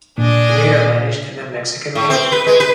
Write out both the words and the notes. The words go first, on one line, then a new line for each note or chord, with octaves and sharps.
He later managed in the Mexican League.
A#2 D4 G#4 D#5
A2
C4
B4
G#3
B4